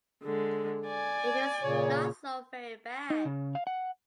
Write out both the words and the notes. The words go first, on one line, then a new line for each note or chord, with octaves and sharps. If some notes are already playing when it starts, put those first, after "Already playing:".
It was not so very bad.
D3 G#3
D5 G#5
A#2 C#3 C#5
D#4
C#3
F5
F#5